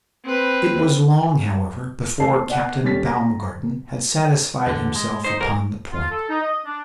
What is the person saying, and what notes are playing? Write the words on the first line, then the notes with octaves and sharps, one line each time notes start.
It was long, however, before Captain Baumgarten had satisfied himself upon the point.
C4 B4
A1 A4 A5 C7
B2 D5 F#5
D#1 G3 C#4 C#5 A6 B6
A#5
E2 D3
G#3
D#4 C5
C2 F2 B2 E3 A#4
F4
A4
D#4
D#5
D4